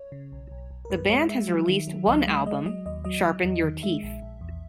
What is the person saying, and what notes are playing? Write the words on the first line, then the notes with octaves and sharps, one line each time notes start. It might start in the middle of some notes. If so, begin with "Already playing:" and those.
The band has released one album, "Sharpen Your Teeth".
Already playing: C#5
C#3
B1
B1
B1
A#4
F#2 B4
G#3 C#5
G#3 E5
F#3
D#3
F#3
C#2 D#5
G#3 D#5
G#3 D#5
F#3 D#5
D#2 D#5
F#3 D#5
F#3
E2
D#3
G#3 E5
A#1
A#1
E2